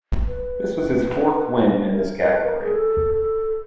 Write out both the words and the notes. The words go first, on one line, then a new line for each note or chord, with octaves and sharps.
This was his fourth win in this category.
B4
A#4
B4
A#4
G#4
A4
A4